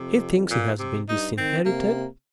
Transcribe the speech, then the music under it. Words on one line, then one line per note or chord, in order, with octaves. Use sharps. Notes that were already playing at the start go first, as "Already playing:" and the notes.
"He thinks he has been disinherited?"
Already playing: F2 C3
A#2
C3
G2 D#4
D#3 C4
C3 A#3